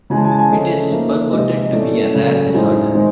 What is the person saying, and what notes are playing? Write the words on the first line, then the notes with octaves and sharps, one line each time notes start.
It is purported to be a rare disorder.
C#3 E3 G#3 G#5
A5
G#5
A5
G#5
C#3 F3 A3 C#4 D#5
F3 A#3 D#4 E5
C3 F3 G#3 C4 D#4 D#5
D#5
E3 A3 C#4 D5
C#3 F#3 A3 C#4
A2 E3 G#3 C4 D#4
D#3 G#3 C4 D#4